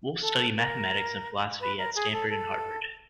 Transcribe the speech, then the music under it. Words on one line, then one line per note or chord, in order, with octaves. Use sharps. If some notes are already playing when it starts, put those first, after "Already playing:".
Wolff studied mathematics and philosophy at Stanford and Harvard.
A4
A#4
B4
A#4
G#4
A4
A4